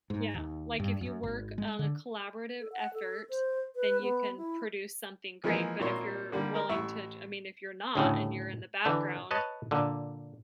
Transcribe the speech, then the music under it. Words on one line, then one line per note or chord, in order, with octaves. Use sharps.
Yeah, like if you work on a collaborative effort, then you can produce something great, but if you're willing to to I mean, if you're not, and you're in the background,
G#2
D#2
G2
F#2
G#1
G#3
D3
A4
F#5
A4
C5
B4
B3
E4
E3 F3 G#3 A#3 G#4
G#1 A#2 A#3 C#5 C6
D3 G3 A#3
A#4
A1 E4 E5 C#6
D2 A2 C#3
D3 E3
B4 C#5 D#5 A5
A#2 D3